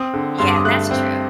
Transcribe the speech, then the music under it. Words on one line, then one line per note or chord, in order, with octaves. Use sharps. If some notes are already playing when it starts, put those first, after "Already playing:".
Yeah, that's true,
Already playing: C4 D#6
D3
G2 C6
D6
D#6
A3 F#6
C4